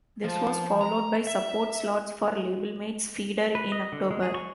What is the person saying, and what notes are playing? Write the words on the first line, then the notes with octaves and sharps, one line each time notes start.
This was followed by support slots for label mates Feeder in October.
F3
A#5
E5
B4
D#5
D3
G#3
G#4
C#6